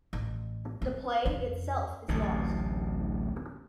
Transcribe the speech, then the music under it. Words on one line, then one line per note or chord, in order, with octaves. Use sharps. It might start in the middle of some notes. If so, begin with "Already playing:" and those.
The play itself is lost.
A1
C4
F2 C#4
D1 A1 C3